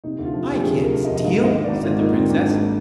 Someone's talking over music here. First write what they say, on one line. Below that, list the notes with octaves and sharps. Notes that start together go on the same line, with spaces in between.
'I can't steal', said the Princess.
C3 D#4
D2
F4
F3
D2 G4
C3 G#4
D2
A#4
F3
D#5
D2
D#5
G#2 F5
A#3
D#5
D#3
G#1 D5
G#2 F4
A#3 D#4
D#3 C4
G#1 D4
G#2
A#3